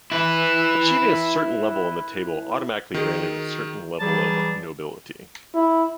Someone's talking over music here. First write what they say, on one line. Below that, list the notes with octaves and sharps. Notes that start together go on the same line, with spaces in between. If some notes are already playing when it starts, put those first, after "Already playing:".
Achieving a certain level in the table automatically granted a certain level of nobility.
E4 B4
D#3 F#4 G#4 A#4
E3 F#3 G3 G#4 A5
E4